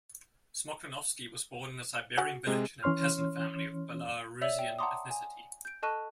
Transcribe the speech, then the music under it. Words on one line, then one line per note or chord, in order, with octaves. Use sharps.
Smoktunovsky was born in a Siberian village in a peasant family of Belarusian ethnicity.
F#4 F#5 G#5
C3 G#3
E3 C#4 C#5 C6 F6
C#5 D5 E5 E6 F7 F#7
G5
F#5 A5 A#5 C6 D6 D#6
G#5
G6 D7
A4 D#5 A5 C#6 F#6 D#7